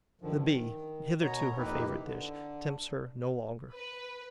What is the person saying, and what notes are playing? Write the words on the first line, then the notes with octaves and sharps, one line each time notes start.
The Bee, hitherto her favourite dish, tempts her no longer.
G2 D3 D#3 F3
D#3
B2 B3 C#5 A#5
F2 A#3 D#4 E4 G4 B4
D3
B4